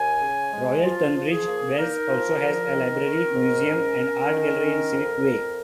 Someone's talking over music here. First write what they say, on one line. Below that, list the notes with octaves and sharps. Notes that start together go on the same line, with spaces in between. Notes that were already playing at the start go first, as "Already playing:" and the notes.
Royal Tunbridge Wells also has a library, museum and art gallery in Civic Way.
Already playing: D#2 G#5
C#3
G#3
F3 F4
F3
G#4
A#3
D#4 A#4
F3
F3
D#3
D#3
G#2
C#4
C#4
D#3
C#4
F2
F2